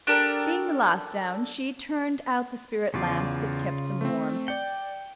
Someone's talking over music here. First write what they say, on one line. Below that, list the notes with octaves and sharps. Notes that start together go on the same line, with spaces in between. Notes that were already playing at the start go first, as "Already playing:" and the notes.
Being the last down, she turned out the spirit-lamp that kept them warm.
D4 G4 A4 A#4
E2 C#3 F4 D5
A3 C4
D5 G5 C#7